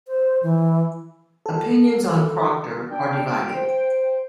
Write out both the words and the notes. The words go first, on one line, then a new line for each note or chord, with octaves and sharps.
Opinions on Procter are divided.
C5
E3
A4
D4 G5
C5